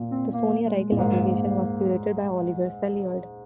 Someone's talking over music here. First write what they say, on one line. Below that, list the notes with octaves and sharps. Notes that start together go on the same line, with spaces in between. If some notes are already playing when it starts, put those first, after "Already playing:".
The Sonia Rykiel Exhibition was curated by Olivier Saillard.
Already playing: A#2
C4
A#3
G#3
A#2
G#2 A#3